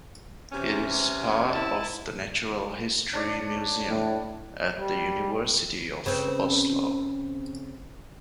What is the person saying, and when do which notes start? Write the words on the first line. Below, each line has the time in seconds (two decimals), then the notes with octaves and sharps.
It is part of the Natural History Museum at the University of Oslo.
0.53 C3 E3 C#4
1.51 E4 A5
3.13 D4 C#5 D5
3.89 A2
4.73 G3
6.06 C#3 C4 B4